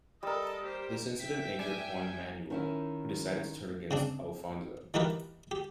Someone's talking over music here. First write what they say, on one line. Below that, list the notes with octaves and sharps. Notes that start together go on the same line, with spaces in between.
This incident angered Juan Manuel, who decided to turn against Alfonso.
G3 A4 A#4 D#5
G4 C5
E5 G5 B6
G3 G#5
D#3 C#4 E4
C#3 C4 D4
E3 D#4 F4 G4 A#4 B4
G4